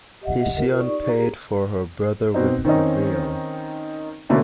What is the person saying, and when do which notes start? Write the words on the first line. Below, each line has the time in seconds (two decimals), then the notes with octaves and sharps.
Hesione paid for her brother with a veil.
0.21 G4 D#5 E5 F#5
0.57 F4 A#4
0.79 D#4 G4 D5 C#6
1.09 G4 G#4 A#4 A#5
2.34 B2 C4 D#4
2.65 D#3 C4 C#4 D#4
4.29 B2 D3 A3 A#3 C#4